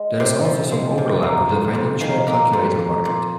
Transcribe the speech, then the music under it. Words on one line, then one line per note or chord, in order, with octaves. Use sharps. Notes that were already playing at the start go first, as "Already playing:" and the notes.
There is also some overlap with the financial calculator market.
Already playing: G#3 D#5
C3
F3
G#3
C3
A#3
F2
F2
D#3 F5 G#5
A#3
F2
A#3
A#2